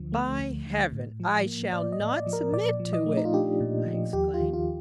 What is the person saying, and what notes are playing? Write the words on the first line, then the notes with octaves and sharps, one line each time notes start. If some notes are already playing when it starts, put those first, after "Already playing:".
"By Heaven, I shall not submit to it!" I exclaimed.
Already playing: D2 D3 F3
A3
D2
D3
A2
F3
A#3
A2 D5
D#5
A2
D5
F3
A#4
A#2 D5
F3
D#5
A3
D#4
F4
D4 G4
A#2
F3
D#2 G4
F4
D#3
F4